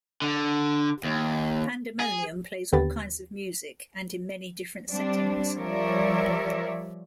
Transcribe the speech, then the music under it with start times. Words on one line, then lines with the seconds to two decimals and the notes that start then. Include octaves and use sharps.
Pandemonium plays all kinds of music and in many different settings.
0.22 D3
1.04 D#2
2.00 G#4
2.73 D#2 D3 B3 G4 B4 A6
4.89 G3 C4 D4
5.57 F3 G3 A#4 C#5 D5 E5